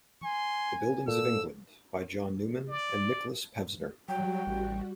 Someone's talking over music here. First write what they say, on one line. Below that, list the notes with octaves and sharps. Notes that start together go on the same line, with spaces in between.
The Buildings of England by John Newman and Nikolaus Pevsner.
G#5 C6
A#2 A4 E6
D5
F#3 G3 F#4 G5
A1